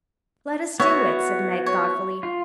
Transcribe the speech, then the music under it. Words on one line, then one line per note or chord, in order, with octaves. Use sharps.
"Let us do it," said Meg thoughtfully.
B3 E4 F#4 C#5 E5
C#5
F4